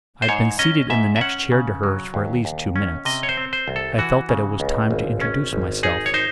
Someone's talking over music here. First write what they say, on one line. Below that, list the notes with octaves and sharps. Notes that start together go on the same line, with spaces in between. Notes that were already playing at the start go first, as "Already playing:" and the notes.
I had been seated in the next chair to hers for at least two minutes. I felt that it was time to introduce myself.
C5
G#2 C#5
C#4 D#5
G#2 E5
E5
C#4 F#5
C#3
F#3
D#2
D#2
C#4
C3 D#5
C#5
C5
C4
C5
C2
A4
E3 F#4
C#3
C#2
G#1
C#4
G#1
D#4 G#4
C#5
D#4 C5